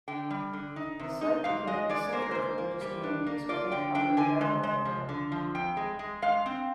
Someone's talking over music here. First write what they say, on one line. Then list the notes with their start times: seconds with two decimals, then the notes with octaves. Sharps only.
The site became the center of religious communities within Upper Davle area.
0.08 D3 G5
0.30 G3
0.53 D3
0.76 D#4
0.99 C3
1.21 D#4
1.44 G#2 F5
1.67 G#3 D#5
1.89 G#3 D5
2.13 A#3 C5
2.22 A#4
2.31 G#2 C5
2.58 A#3
2.81 G3
3.03 D4
3.26 A#3
3.49 F4 D5
3.72 D3 G5
3.95 D4 G5
4.17 D3 G#5
4.41 G#3
4.63 G#3
4.85 F3
5.09 D3
5.32 F3
5.55 F2 G5
5.77 G#3
5.99 G#3
6.22 G#3 F5
6.46 C4